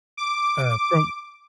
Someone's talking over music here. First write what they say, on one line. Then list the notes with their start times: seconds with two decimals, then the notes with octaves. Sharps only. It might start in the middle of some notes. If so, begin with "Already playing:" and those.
uh, from
0.17 D6